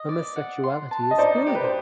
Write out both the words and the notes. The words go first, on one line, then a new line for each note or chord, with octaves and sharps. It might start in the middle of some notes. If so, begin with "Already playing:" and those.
Homosexuality is good!
Already playing: D#5
D5
F#5
C6
A5
D#5
D#4 C5 D5
G4
B4
C5